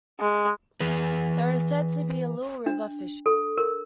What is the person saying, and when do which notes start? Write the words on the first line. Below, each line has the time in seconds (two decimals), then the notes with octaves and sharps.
There is said to be little river fishing.
0.20 G#3
0.80 E3 G#4 B4
2.66 D4
3.26 A4
3.57 A#4